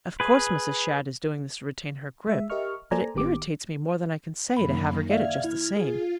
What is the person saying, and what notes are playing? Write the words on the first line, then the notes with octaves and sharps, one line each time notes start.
Of course Mrs. Shadd is doing this to retain her grip, but it irritates me more than I can say to have her get it just the same.
G#4 B4
G#3 E5
G4 A#4 D#5 E5 C#6 F6
A#3 A4 C5 D5 G#5 A#5
A1 D#3 B3 G4 D6
F#2 D#3 A#3 B5
D5 E5 F5 F6 G#6
E4
F4 G#4